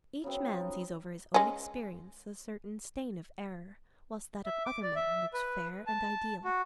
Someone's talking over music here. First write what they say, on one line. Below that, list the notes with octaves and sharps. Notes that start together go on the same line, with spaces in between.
Each man sees over his own experience a certain stain of error, whilst that of other men looks fair and ideal.
C#3 F#3 B3 C4
F3
D#4
G#3 C#4
E5
D6
D5
E5
B4
A5
F#4